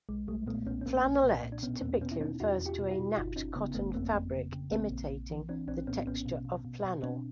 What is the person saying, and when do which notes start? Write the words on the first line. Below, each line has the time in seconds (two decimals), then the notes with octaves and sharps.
Flannelette typically refers to a napped cotton fabric imitating the texture of flannel.
0.09 B1 G#3
0.27 B1 G3 A3
0.47 A#2 A3 B3
0.66 B1 B3 C#4
0.81 C#4
0.86 B1 A#3 C4
1.05 B1
1.24 A#2
1.43 A#2
1.52 D4
1.63 B2 B3 C#4
1.82 E2 A#3 C4
2.01 B2 B3 C#4
2.11 E4
2.21 B2 C#4 D#4
2.40 E2 E4 F#4
2.60 E2
2.66 F4 G4
2.78 B2
2.91 E4 F#4
2.98 B2
3.17 G1 D#4 F4
3.36 G1 C#4 D#4
3.56 C#3 B3 C#4
3.75 G1 A3 B3
3.94 F2 A#3 C4
4.13 F2
4.33 C#3
4.52 C#3
4.72 A#1 A#3 C4
4.91 A#1
5.10 A#1
5.30 E3
5.49 E3 C4 D4
5.67 A#1 C4 D4
5.78 C4
5.87 A2 B3 C#4
6.07 A#1 B3 C#4
6.26 B2
6.45 B2
6.65 B2
6.84 B2
7.03 B2 C4 D4